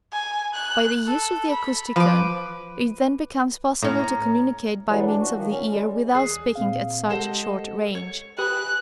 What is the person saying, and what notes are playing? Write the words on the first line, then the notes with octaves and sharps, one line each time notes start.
By the use of the Acousticon, it then becomes possible to communicate by means of the ear without speaking at such short range.
G#5
F#6
A4
B5
F3 B4 D6
A2 C#4 A#5
A2 E3 F#3 G3
D4
F#4
D#3 F3
C#4
G3 G#3
E2 G#4 F#6
A#2 C4 F5
G#3 G4 A4 C5 D#5 F#5
C#5
G4 B4 G#5 B5 D#6 F#6